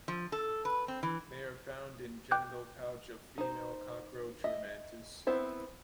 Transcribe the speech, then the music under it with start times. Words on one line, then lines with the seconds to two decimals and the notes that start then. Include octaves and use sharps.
They are found in genital pouch of female cockroach or mantis.
0.08 F3
0.32 A4
0.65 B4
0.88 C4
1.03 E3
2.31 G5 D6 F#6 G6
3.38 D#4 C5
4.44 D#5 E5
5.27 B3 C4 E4 C5